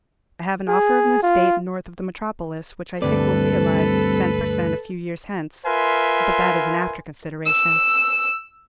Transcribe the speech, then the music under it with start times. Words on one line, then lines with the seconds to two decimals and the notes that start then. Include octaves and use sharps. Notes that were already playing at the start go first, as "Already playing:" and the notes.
I have an offer of an estate north of the metropolis, which I think will realize cent per cent a few years hence: but that is an after consideration.
0.68 G#4
1.23 F4
3.02 D2 G2 G3 C4 A4 B4 D5
5.66 F4 A#4 B4 E5 G#5 C6
7.46 E6